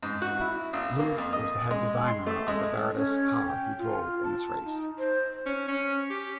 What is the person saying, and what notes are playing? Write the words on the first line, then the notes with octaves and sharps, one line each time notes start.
Loof was the head designer of the Veritas car he drove in this race.
G#2
F#4
E4
A#1
A#3
F2
D#5
G#3
C6
A3
G#3
A4
C#4
G5
F4
A5
D#4
C5
C#4
C#4
G4